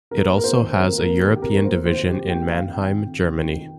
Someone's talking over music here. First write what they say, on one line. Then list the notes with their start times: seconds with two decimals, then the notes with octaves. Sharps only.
It also has a European division in Mannheim, Germany.
0.11 F2 A#4
0.27 A#3
0.38 A#4
0.44 F2 C5
0.60 D#3
0.76 F2 A#4
0.93 A#3
0.98 A#4
1.09 F2
1.20 G4
1.26 D#3
1.36 G4
1.42 F2 A#4
1.58 A#3
1.64 C5
1.75 F2
1.86 C5
1.91 D#3
2.08 F2 G4
2.24 A#3
2.29 G5
2.40 F2
2.51 F5
2.57 D#3
2.73 F2 G5
2.89 D#3
3.06 F2
3.22 C3
3.38 F2
3.55 D#3